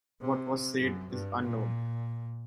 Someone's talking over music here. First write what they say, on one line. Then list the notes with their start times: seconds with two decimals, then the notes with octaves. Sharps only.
What was said is unknown.
0.21 C3
0.81 F#2
1.10 G2
1.41 A#2